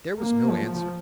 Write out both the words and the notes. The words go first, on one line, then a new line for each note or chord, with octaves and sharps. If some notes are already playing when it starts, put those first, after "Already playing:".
There was no answer.
A#3
F3